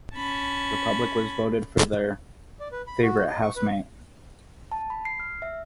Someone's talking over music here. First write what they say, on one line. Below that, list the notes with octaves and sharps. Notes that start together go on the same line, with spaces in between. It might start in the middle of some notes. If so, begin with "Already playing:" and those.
The public was voted for their favourite housemate.
C#4 A5 B5 G#6
D5
B4
B5
F#4
D#5
C#6
B4
A5
B5
C7
F6
E5